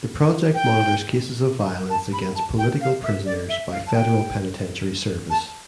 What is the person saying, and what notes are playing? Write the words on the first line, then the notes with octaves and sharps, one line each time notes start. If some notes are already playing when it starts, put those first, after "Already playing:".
The project monitors cases of violence against political prisoners by Federal Penitentiary Service.
G5
A5
B5
A5
G5
F5
E5
D5
E5
F5
A5
G5
A5